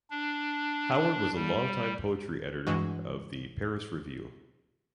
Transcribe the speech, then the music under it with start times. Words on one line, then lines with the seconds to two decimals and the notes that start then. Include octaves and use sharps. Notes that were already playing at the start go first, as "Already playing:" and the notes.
Howard was a long-time poetry editor of "The Paris Review".
0.10 D4
1.35 G3
2.67 G2 E3 G#3 F#4